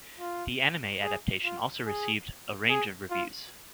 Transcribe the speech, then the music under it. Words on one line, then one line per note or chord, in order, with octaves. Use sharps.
The anime adaptation also received a range of reviews.
F4
G#4
F4
G#4
G#4
F4